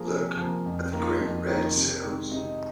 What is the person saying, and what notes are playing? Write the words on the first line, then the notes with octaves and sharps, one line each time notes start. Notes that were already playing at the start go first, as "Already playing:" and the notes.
Look at the great red sails!
Already playing: F3 A#3 G#4 A#4
C3
F3 A#3
F2
C4
D#3 A#3
F4
F2
D#3 A#3
C3
D#3 G#3
C3 D#4